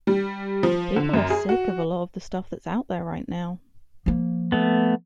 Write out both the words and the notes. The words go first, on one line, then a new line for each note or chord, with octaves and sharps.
People are sick of a lot of the stuff that's out there right now.
G3
F3
D3
F#2
G#4
F#4
F3 A#3
A3 B3